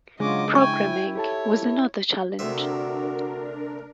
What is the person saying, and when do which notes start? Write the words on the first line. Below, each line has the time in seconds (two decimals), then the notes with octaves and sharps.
Programming was another challenge.
0.20 C#3 F#3 G#3 D4 F4 C#5 D#5 D6
0.55 E4 G5 G#5 C#6
1.15 G4 A4 C#5 A5
2.39 D2 C3 D4 F#4 A#4 E5